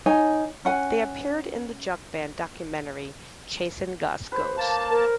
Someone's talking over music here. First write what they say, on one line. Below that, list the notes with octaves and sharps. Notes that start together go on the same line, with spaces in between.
They appeared in the jug band documentary "Chasin' Gus' Ghost".
D#4 C#5 G#5
C#4 F#5 G#5
B4 C5
A#3 A5
A#4